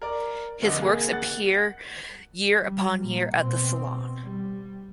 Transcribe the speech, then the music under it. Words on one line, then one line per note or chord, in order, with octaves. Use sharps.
His works appear year upon year at the Salon.
A#4 D5
F1 D3 D#5
A#3 G#4
F#5 F#6 A6
G3
A#2 A#3
B2 C4
G3